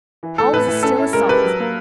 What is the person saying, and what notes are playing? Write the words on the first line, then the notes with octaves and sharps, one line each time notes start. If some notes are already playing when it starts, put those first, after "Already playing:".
All was as still as salt.
E3
A3 A4
A2 B4
A2
C#4 A4
E4
G#3 A#4
G4 B4
F#3
A#3